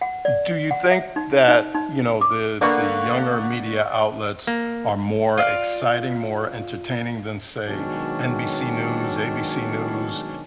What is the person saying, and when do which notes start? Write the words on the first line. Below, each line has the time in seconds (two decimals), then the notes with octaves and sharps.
Do you think that, you know, the the younger media outlets are more exciting, more entertaining than, say, NBC News, ABC News,
0.01 F#5
0.25 D5
0.71 F#5
0.91 E5
1.16 D#4
1.48 D#4
1.75 D#4
2.21 D6
2.61 D3 A#3 B3 D5 F#5 C#6
4.47 A#3
5.38 F4 D5 F5
7.69 B2 D#3 F#3 G#3 C#4 D4